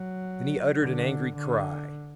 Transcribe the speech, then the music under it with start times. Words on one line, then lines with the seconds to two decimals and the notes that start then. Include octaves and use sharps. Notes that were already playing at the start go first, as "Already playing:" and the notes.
Then he uttered an angry cry.
Already playing: F#3
0.81 D3
1.36 D3